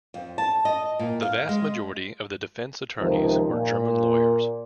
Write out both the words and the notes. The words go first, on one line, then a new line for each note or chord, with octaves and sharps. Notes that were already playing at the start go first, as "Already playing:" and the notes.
The vast majority of the defense attorneys were German lawyers.
F2
A5
D#5
A#2
F5
G#3
C#2 C3 D#3 F3
A#2